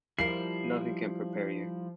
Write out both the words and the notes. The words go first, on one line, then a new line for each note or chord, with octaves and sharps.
Nothing can prepare you.
F3 G3 E4 A#4 C7